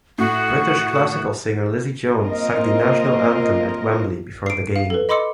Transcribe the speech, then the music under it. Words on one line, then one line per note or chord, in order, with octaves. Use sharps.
British classical singer Lizzie Jones sung The National Anthem at Wembley before the game.
A2 F#4
A#3 C4 F4 A#4 D#5
C7 D7
F5
A4 B4
D#5 B5 C6 D6 E6 C#7